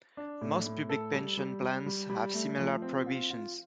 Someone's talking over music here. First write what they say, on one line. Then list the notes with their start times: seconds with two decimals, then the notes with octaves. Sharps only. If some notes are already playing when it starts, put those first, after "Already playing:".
Most public pension plans have similar prohibitions.
0.17 D4
0.41 A2
0.65 A2
0.89 A4
1.13 G3
1.37 G3
1.62 G3
1.86 G3
2.10 G3
2.34 A3
2.58 F3
2.82 C4
3.06 F4
3.30 F4